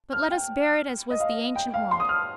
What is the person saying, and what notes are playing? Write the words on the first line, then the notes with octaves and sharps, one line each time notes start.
But let us bear it as was the ancient wont.
F6
G5
D#5
F5
G5
F5
C6
D#6
F6